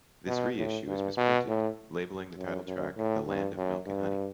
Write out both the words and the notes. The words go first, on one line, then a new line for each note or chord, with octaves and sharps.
This re-issue is misprinted, labeling the title track The Land of Milk and Honey.
B2
A2
G2
B2
A2
F#2
F#2
A2
G2
F#2
G2